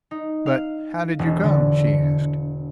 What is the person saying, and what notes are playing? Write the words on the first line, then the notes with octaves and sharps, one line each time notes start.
"But how did you come?" she asked.
D#4
F5
E1
D3
C#7